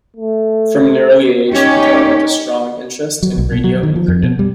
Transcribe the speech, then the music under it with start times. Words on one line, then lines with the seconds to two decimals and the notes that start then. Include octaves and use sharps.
From an early age he developed a strong interest in radio and cricket.
0.16 A3
1.52 C#4 D#4 G4 C#5
3.23 F#3
3.38 B1
3.52 B2
3.64 F#3
3.83 D#3
3.96 F3
4.08 F2
4.23 B2
4.39 G3